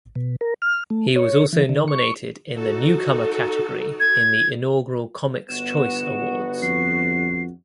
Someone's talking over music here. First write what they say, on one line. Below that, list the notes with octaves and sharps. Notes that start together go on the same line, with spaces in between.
He was also nominated in the Newcomer category in the inaugural Comics Choice awards.
B2
A#4
F6
A3
C#5
E3
D3
C#6
D#4 F#4 A4
G#6
G1 B3 F#4 E7
F2 C7